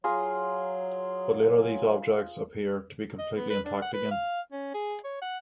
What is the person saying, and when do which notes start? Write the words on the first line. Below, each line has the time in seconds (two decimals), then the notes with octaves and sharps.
But later these objects appear to be completely intact again.
0.04 F#3 F4 G#4 A#5
3.19 D#5
3.37 B3
3.50 B4
3.66 D4
3.82 F#5
3.94 B4
4.11 F5
4.52 C#4
4.74 G#4
5.04 C#5
5.22 F#5